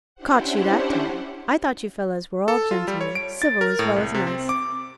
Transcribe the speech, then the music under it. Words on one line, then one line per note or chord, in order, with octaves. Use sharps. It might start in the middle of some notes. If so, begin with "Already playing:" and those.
'Caught you that time; I thought you fellows were all gentlemen, civil as well as nice.
C#4 D4 E4 G4 C5 F#5
A4
F4
G3
C#5
D7
A6
A#4
A2
C2
C3
C4
D6